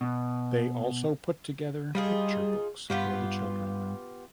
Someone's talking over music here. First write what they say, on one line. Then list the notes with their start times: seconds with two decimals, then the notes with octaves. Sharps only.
They also put together picture books for the children.
0.01 B2
1.95 G3 D#4 F4 G#4
2.90 G2 B3 F4 G4